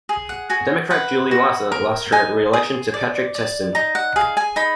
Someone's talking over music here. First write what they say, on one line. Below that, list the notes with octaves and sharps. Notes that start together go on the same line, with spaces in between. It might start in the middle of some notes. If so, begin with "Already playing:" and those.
Democrat Julie Lassa lost her re-election to Patrick Testin.
G#4
F#5
F#4 G#5
B4 F#5
F#4
A#4
D#4 G#5
G#4
D5
D5
D#4 A#5
F#5
G#4 F5
G#5
D#4 B5